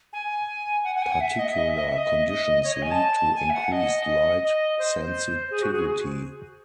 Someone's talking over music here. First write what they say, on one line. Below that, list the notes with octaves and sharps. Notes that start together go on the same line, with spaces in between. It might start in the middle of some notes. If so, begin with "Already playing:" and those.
Particular conditions lead to increased light sensitivity.
G#5
F#5
F#5
G#5
F#5
E5
D#5
E5
D#5
E5
D#5
E5
D#5
D#5
C#5
D#5
G#5
A5
G#5
E5
F#5
D#5
D#5
C5
G#4
F#4
G#4